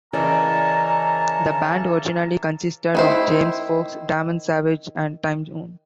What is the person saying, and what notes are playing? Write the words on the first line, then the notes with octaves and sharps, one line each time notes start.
The band originally consisted of James Folks, Damon Savage and Timeone.
C#3 E3 C#4 A#4 D5 D#5 A5 A#5
D#3 E4 C5